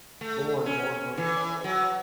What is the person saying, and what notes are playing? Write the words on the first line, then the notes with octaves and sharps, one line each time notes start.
Born Lord William Douglas.
A3
C#4
E3
F#3